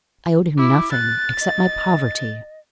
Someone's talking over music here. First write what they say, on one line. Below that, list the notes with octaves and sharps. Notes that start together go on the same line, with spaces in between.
I owed him nothing, except my poverty.
E4 D6
F#6 A6
D#5